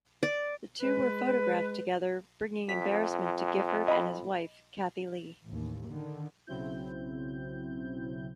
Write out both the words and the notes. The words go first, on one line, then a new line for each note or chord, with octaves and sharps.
The two were photographed together, bringing embarrassment to Gifford and his wife, Kathie Lee.
D5
G#3 B4
F2 B6
D#5 B5
A1 D#2
D3 D#3
B1 C#3 F#3 C4 E4 G6